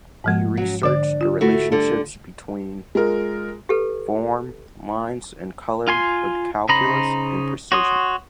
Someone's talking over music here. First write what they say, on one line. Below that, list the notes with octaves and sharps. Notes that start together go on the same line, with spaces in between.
He researched the relationships between form, lines and color with calculus and precision.
G#2 F3 G#3
F#3 C#4
D3 D4 D5
F4
A3 E4 F#4
D3 G3 A4
G#3 F4 A#4
G4 A4 B4
F4 G#5 C6
C#3 D#4 C5 A#5 B5
F#4 C#5 C6 D#6